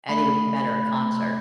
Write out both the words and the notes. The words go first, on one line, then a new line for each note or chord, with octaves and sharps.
Eddie Vedder concert.
A3 B5